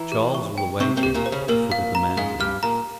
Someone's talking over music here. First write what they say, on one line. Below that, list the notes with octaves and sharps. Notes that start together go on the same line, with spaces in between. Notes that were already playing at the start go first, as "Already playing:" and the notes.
Charles will await him at the foot of the mountains.
Already playing: E3 E4 A#5
G4
C#6
G5
C3 C4 C#6
C3 C4
G4
A#2 A#3
C5
C#3 C#4
A#2 A#3 A#4
F5
A#5
G#2 G#3 F5
G2 G3 F6
A#2 A#3 A#5